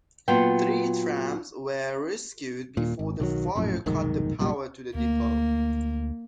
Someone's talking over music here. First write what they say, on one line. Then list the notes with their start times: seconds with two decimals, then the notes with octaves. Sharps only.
Three trams were rescued before the fire cut the power to the depot.
0.28 A#2 F#3 B3 F4 G5
2.77 D#1 A#2
2.99 G#1
3.20 B1 D#3 F#3
3.55 A#1 F#2 A2
3.86 F1 B1 G#2 D#3
4.39 C2 F#2 A#2 G3
4.94 D2 A#3